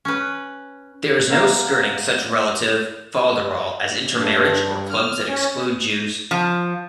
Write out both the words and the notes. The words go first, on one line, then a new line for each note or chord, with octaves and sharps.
There is no skirting such relative "fol-de-rol" as intermarriage or clubs that exclude Jews.
C#4 B4
B3 A#4 E5 F5
G2
F6
C#4
F3